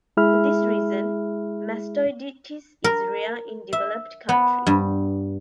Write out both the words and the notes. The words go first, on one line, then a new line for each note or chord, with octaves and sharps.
For this reason, mastoiditis is rare in developed countries.
G#3 E4 G#4 E5 B5 F6
A#4
E5
B3
G2